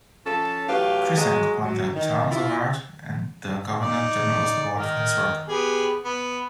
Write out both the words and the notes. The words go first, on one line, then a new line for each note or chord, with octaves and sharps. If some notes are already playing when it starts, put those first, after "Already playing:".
Krizanc won the Chalmers Award and the Governor General's Award for his work.
F3 C#4 A4
A2 E3 F#3 G4 B4 F5
F#3 G#3
F#3
D#3
E4 F4
D#4 D5
D#3 A#4
B3 G4 G#4
B3